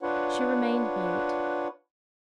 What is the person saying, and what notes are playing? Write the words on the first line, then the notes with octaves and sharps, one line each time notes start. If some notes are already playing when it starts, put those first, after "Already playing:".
She remained mute.
D4 F4 B4 C#5 F#5